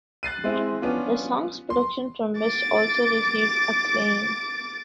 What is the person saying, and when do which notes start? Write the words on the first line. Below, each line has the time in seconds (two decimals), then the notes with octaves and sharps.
The song's production from West also received acclaim.
0.23 F#6 A6 C7 D#7
0.44 G#3 C4 E4
0.82 F3 B3 C#4 D4 F4
1.70 C6
2.40 D6 A6